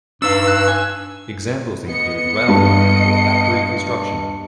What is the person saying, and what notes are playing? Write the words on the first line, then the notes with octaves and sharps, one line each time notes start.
Examples include railroad or factory construction.
G2 D4 D#4 B4 F5 E6
F#6
G#5
B3 D#5 C#7
G2